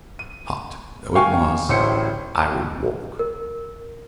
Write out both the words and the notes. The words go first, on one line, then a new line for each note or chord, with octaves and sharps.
Hot though it was, I would walk.
D#7
F5 G5 G#5 C#6
D1 A1 E4 C5 C#7
A#4